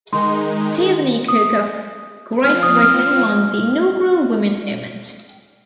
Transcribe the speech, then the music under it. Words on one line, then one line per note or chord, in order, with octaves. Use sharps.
Stephanie Cook of Great Britain won the inaugural women's event.
D#3 G#3 D#4 C6
D#6
F3 C4 F4 F6
D#6
F6